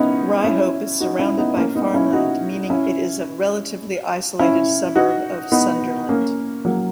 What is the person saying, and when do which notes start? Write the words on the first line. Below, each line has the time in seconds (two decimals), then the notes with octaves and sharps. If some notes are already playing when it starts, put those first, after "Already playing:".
Ryhope is surrounded by farmland meaning it is a relatively isolated suburb of Sunderland.
Already playing: B3 C#4 D#4 E4
0.44 C#4 E4
1.00 D#4 F#4
1.19 C#4 E4
1.38 B3 D#4
1.57 A#3 C#4
1.75 B3 D#4
1.94 C#4 E4
2.13 D#4 F#4
2.70 C#4 E4
4.39 C#4 E4
4.95 D#4 F#4
5.52 B3 D#4
6.09 A#3 C#4
6.65 F#3 A#3